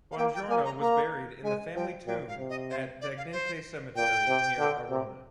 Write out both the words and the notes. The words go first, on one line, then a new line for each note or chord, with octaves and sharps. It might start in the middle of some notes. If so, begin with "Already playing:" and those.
Bongiorno was buried in the family tomb, at Dagnente Cemetery, near Arona.
F5
A#3 G5
G5
A#3 G#5
A#5
A#3 A#5
G#3 G#5
F3 G5
A#2 G5
F5
C3
D#5
C5
D5
F5
C5
A#2 G5
C3
D3
C3